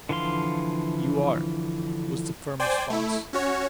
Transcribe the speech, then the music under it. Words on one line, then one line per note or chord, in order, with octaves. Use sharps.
"You are," was the firm response.
D3 E3 F3 F5 C6
C5 D5 G5 G#5
A3 E4
C#4 F#4 C#5